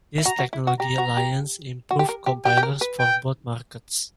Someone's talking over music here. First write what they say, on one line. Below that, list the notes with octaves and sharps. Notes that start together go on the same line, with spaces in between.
This technology alliance improved compilers for both markets.
E4
F#4 A#5
F#4
E4
F#4
G4 A#5
F#4
G4
F#4
G4
A#4
G4
G4 G5
G4
A#4
B4
G5